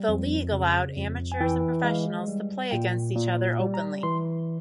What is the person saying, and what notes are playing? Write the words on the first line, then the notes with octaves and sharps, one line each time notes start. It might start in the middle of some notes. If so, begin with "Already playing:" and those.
The league allowed amateurs and professionals to play against each other openly.
Already playing: G3
F2
C#3
F2
G#5
E3 G5
G#3 F5
G3
A#2 G5
A#2
G3
A#5
E3 C6